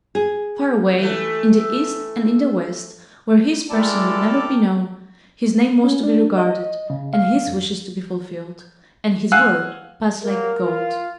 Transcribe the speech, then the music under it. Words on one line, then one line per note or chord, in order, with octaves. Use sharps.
Far away, in the East and in the West, where his person would never be known, his name was to be regarded, and his wishes to be fulfilled, and his word pass like gold.
G#4
E3 A3
G#3 E4 G4 A4 A#4 D5 A5
C#4
D4
D#5
C#3
F5
F2
F5 F#5 G#5 E6 F#6
F#3 A#3 A#4
F4